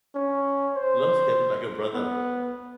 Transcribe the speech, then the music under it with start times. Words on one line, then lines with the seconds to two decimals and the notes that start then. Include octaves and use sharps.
Love him like a brother!
0.15 C#4
0.76 C5
1.94 B3